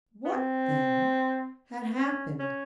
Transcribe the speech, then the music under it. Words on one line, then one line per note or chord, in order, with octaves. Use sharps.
What then had happened?
B3
C4
C#4
C#4